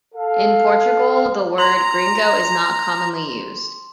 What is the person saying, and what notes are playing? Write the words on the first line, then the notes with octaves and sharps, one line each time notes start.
In Portugal the word gringo is not commonly used.
A4 F5
A#5 C6